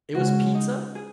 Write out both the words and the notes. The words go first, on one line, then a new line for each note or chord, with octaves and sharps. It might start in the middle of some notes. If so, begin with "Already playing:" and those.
it was pizza,
C#3 G#3 C#4 F#4
D#4
G#4